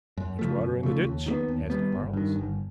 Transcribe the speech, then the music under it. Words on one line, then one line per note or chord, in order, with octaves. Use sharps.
"Much water in the ditch?" asked Quarles.
F#2
C#3 F3 A3
F#2
C#3 F3 A3
D#2
D#3 G3 B3
D#2
D#3 G3 B3
G1
G2 D#3
G1